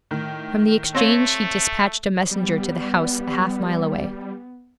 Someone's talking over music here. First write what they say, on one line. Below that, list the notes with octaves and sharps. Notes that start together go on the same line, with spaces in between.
From the exchange he dispatched a messenger to the house a half-mile away.
A2 D#3
A3 C4 C#5 F5 A#6
G3 B3